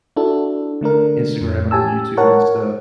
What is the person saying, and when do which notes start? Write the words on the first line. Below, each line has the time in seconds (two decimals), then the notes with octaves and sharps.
Instagram and on YouTube and stuff.
0.17 D4 E4 F#4 A4
0.81 D3 A3 D4 A#4
1.41 F2
1.71 G4 G#5 A5 E6
2.17 A#4 C#5 F#5 A5